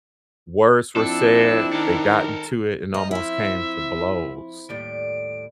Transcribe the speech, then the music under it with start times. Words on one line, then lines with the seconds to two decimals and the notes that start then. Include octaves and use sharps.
Words were said, they got into it, and almost came to blows,
0.96 F2 C4 D4 E4 A4
1.73 D#3 A4 A#4
2.94 F3 D#5 A#5
3.11 C4 E4 E5
4.69 D#2 A2 G3 D7